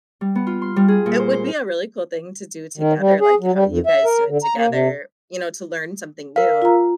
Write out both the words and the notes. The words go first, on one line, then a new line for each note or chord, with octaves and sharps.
it would be a really cool thing to do together, like, how you guys do it together, you know, to learn something new,
G3
B3
F4
C6
G3
G#4
A#2
C5
C5
D#3
G3
G#4
F#3
G3
F2
E5
A#4
D3
A#5
A#3
C3
A#4 F5
F4 A#5